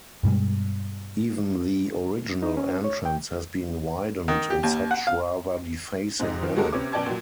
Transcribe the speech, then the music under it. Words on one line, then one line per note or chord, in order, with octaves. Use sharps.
Even the original entrance has been widened in such rather defacing manner.
G2 B2 G3 G#3
D#4
C#4
C#5
G5
D#3
G4
D#2
F#5
F5
G#2 C3 D#4
D#3 C4 F4
D3 G#3 F#4 G4 A4 A#4
C3 B3 C#4 C#5 D6
F#2 B2 D5 G5 A5 G#6
A#2 F#3